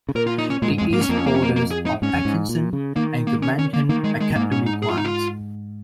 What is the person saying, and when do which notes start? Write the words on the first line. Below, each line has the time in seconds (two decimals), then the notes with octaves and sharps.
The east borders on Atkinson and Gilmanton Academy Grant.
0.09 C#3
0.15 A#2 A#4
0.27 F4
0.38 D#4
0.50 C#4
0.62 A#2 G#3
0.71 G#2
0.78 G#3
0.81 F2
0.90 G#2 A#3
1.02 C#4
1.09 F2 A#3
1.19 C#4
1.26 A#3
1.36 C#4
1.43 A#3
1.56 A#3
1.71 G#4
1.86 D#4
2.02 G#2 C#4
2.14 F2
2.25 G#2
2.49 A#2
2.73 C#3
2.96 D#3 A#3
3.27 A#3
3.43 C#4
3.59 C#4
3.73 A#3
3.89 D#3 A#3
4.04 G#3
4.21 G#3
4.30 A#2
4.35 G#2 A#3
4.52 C#4
4.66 D#4
4.82 G#4
4.90 F4
4.97 D#4
5.05 F4